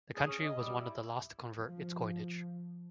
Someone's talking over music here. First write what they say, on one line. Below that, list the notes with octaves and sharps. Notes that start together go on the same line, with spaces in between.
The country was one of the last to convert its coinage.
G#4
C#4
D#5
G3
E4
F3